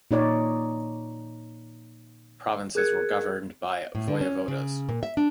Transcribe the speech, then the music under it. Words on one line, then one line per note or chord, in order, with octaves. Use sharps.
Provinces were governed by "voyevodas".
A#2 D#4 C#5 D5
G#4 A#4 F#6 G#6 C#7
A2
D3
C#4
C#3
A#2
E5
D4